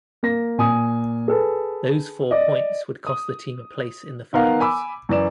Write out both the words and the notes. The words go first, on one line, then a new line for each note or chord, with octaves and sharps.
Those four points would cost the team a place in the finals.
A#3 A#6
A#2 G#5 D#6
G#4 A4 B4
D5 D#5
D#6
D#3 B3 A#4 F5
G#5 B5 D6 E6
F#2 E3 D5 E7